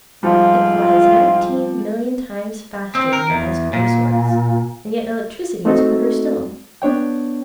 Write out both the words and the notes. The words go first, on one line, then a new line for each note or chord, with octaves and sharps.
It flies nineteen million times faster than the best race-horse; and yet electricity is quicker still.
G#2 F3 G3 C4 F4
C4
A#4
E2
A#2
A3 C4 D#4 F#4 A4
B3 D4 C#5 G5